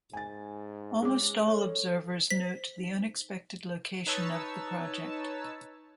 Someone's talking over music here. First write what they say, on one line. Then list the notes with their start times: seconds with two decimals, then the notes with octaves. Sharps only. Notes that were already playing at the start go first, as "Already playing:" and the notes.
Almost all observers note the unexpected location of the project.
0.13 G#2 G#5 A6
1.02 G#3 C#4 G#4 D6
1.48 A4 C#5
2.30 C5 D5 B6
2.78 D#4
4.06 D#4 B4 C#5 A5 E6